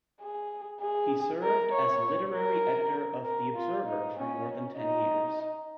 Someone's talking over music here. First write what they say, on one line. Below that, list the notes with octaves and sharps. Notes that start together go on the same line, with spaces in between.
He served as literary editor of "The Observer" for more than ten years.
G#4
G#4
A#4
C#5
A#4
A#4
F4
D#4
C#4
D#4